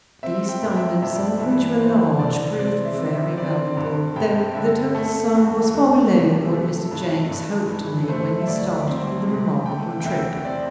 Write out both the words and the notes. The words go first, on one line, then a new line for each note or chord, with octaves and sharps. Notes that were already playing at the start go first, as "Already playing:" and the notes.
These diamonds, some of which were large, proved very valuable, though the total sum was far below what Mr. Jenks hoped to make when he started on the remarkable trip.
C4 E5
G5
G2
E5
G2 E5
D5
E5
E3 E5
E3 C5
C2 D5
C4 D5
E5
C3
E5
C4 D5
G2
G2 G5
D3 E5
A3 A4
E2
E2
C3
G4
A3 A4
G2
G2
E3
A4
A3 C5
E5
D2 D5
C4
C3
A3 G5
G5
E2 E5
C4 D5